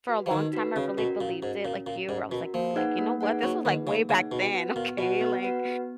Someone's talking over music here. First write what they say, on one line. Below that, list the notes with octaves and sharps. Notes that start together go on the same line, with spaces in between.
for a long time I really believed it, like you, where I was, like like, "You know what? This was, like, way back then, okay, like,
F#4 B4
F3
D#3 D#4
F#4 B4
C#3 C#4
B2 F#4 A#4
A#2 C#4
G#2 F#4 A#4
A#2 C#4
A#2 F#4 A#4
G#2 C#4
B2 F#4 A#4
F3 A#3
D#4 G#4 B4 F#5
A#3
D#4 G#4 B4 F#5
F#3 A#3
D#3 D#4 G#4 B4 F#5
C#3 A#3
C#3 D#4 G#4 B4 F#5
B2 B3
F#4 B4 F#5
A#2 B3
B2 F#4 B4 F#5
B3
F#4 B4 F#5
B3